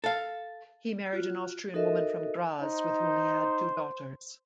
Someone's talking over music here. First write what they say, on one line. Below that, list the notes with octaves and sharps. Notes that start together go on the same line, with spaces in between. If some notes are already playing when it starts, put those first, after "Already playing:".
He married an Austrian woman from Graz with whom he had two daughters.
A4 F5
F4 F#4
D#4 F#4 A4 A#4 D#5 E5
D#4 C5